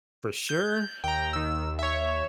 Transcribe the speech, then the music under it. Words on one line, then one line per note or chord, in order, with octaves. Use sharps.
For sure,
G6
D#2 G5 A#5
D#3 E6
C#5 E5